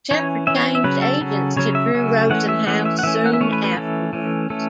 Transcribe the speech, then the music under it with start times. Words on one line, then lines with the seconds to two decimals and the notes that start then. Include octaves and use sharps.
Sheppard changed agents to Drew Rosenhaus soon afterwards.
0.11 E3 C#4 C#5
0.47 E3 C#4 E5
0.56 C#5
0.75 E5
0.84 C#3 F#3 C#4 B4
1.02 A4
1.21 C#3 F#3 C#4
1.57 C#3 F#3 C#4 C#5
1.75 E5
1.94 C#3 F#3 C#4
2.30 E3 A3 C#4 F#5
2.49 E5
2.67 E3 A3 C#4 F#5
2.85 E5
2.99 F#5
3.03 E3 A3 C#4 E5
3.26 F#5
3.33 E5
3.40 E3 A3 C#4 C#5
3.53 B4
3.64 B4
3.76 E3 A3 C#4 A4
4.13 E3 A3 C#4
4.50 E3 A3 C#4 A4